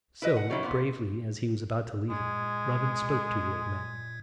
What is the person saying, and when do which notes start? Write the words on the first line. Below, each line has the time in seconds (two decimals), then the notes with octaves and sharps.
So bravely, as he was about to leave him, Robin spoke to the old man.
0.22 E4 B4 D#5
0.37 F#5
0.50 D#3 F#3 C#4 E4
0.63 A#2 B3 C5
2.10 A#2 G#3 G#6